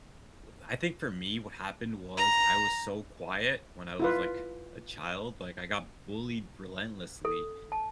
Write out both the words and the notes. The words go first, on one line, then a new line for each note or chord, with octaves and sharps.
W I think for me, what happened was, I was so quiet when I was, like, a child, like, I got bullied relentlessly,
A#5
E4 F4 B4
A4
A5